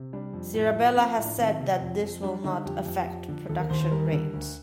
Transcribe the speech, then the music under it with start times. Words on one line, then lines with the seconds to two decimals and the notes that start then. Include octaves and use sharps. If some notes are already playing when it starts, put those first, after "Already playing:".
Sirabella has said that this will not affect production rates.
Already playing: C3
0.13 G3 D4
0.34 F2
0.54 A2
0.76 F3
0.97 F3 C4
1.18 A2
1.25 D4
1.38 D#3 C4
1.60 C3
1.80 F2
2.02 F2
2.23 G3 D4
2.44 D3 D#4
2.65 F2 G4
2.86 F2
3.07 F3
3.29 D3
3.49 D#2 A4
3.60 A#4
3.70 D#2 C5
3.81 C5
3.91 G3 A#4
4.13 D3
4.34 D2